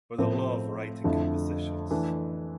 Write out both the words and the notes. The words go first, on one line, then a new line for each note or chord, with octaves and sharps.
But I love writing compositions.
A2 F3 A3 C4
F2 D3 F3 A3 E4
E3 A3 D4